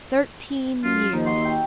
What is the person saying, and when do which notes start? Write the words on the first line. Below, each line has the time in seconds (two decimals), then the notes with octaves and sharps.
Thirteen years.
0.83 F#2 F4
1.13 D#2 D#4
1.26 F#4 C6
1.41 E5 G5